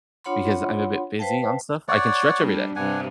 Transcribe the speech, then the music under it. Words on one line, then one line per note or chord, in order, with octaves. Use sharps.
because I'm a bit busy and stuff. I can stretch every day,
D4 F4 C#5 F#5 B5 C6
B4 C5 F5 G5 A5
C#5 D5 F#5
G3 D4
G2 C3 D4 F#5 G#5